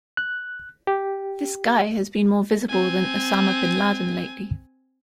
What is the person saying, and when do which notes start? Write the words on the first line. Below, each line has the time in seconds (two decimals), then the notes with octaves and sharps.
This guy has been more visible than Osama bin Laden lately.
0.17 F#6
0.87 G4
2.69 C4 G#5